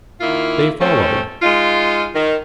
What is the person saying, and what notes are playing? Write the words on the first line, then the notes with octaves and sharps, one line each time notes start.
They followed.
D#3 A#3 E4 F4
A3 C4 C#4
G#3 D#4 F4
D#3